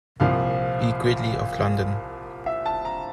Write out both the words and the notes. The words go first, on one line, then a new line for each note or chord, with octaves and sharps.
B. Gridley of London.
C2 A#2 F3 F5
E5
A5
A#5